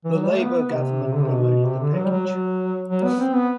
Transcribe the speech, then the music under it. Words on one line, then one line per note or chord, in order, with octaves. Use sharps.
The Labour Government promoted the package.
E3
F#3
G3
A3
B3
B3
C3
C3
D3
C3
B2
C3
D3
F#3
G3
F#3
F#3
F#3
B3
C4
B3